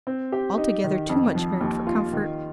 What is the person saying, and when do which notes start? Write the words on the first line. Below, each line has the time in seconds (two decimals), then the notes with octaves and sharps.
Altogether too much married for comfort.
0.07 C4
0.32 G4
0.58 D#4
0.84 D#3
1.09 F2
1.35 F3
1.61 D#2
1.87 F4
2.13 D#3